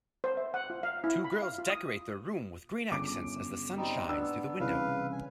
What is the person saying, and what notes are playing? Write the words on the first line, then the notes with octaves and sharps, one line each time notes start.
Two girls decorate their room with green accents as the sun shines through the window.
C5
E5
F#5
F4
F5
E4
B5
F5
F4
D#6
G1 C#3 D6 D7
G3 C4 D#4
B3 D4 E6
C2 C#3 E3 B4 F5
G#5